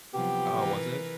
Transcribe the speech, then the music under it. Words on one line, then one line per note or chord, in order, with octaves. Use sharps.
Oh, was it?
C3 F3 F#3 B3 G4
E3 A#4 B4